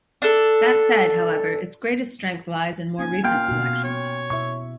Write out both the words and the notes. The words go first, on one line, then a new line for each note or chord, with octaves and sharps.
That said, however, its greatest strength lies in more recent collections.
D4 A4
A#3 C#4 D#4 G#5
A#2 F5 G5
B2 F#4
C#5
B2 E4 E5 C#6